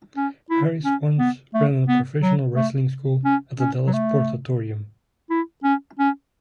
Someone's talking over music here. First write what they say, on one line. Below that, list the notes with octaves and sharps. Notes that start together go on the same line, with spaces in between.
Harris once ran a professional wrestling school at the Dallas Sportatorium.
C#4
E4
C#4
B3
A3
B3
F#3
A3
C#4
C#4
F#3
A3
E4
C#4
C#4